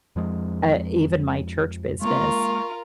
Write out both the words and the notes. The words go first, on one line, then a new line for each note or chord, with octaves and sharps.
uh, even my church business.
F2 F3 G#3
G#3 A#3 F4 A#4 C#6